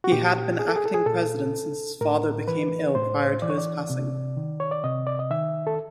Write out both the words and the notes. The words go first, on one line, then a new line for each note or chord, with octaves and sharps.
He had been acting president since his father became ill prior to his passing.
F#4
A#2 G4
G#4
A4
G#4
A4
G#4
A#2 A4
A2 A#4
E3 B4
A2 C5
E3 D5
C#5
D5
C3
D#3
C#5
D5
C3 D#5
D5
D#5
D#3 E5
A4